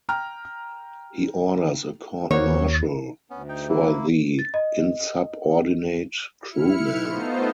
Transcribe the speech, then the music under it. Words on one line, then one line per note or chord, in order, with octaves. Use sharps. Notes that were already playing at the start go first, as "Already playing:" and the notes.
He orders a court-martial for the insubordinate crewman!
G5 A#5 F6
D#2 A#3 F#4 C5 C#5
D2 B3 C#4
D#4 G5
A#3 E4
A6
D#5
E4 F6 C#7
A3 B3 D#4 F4 C5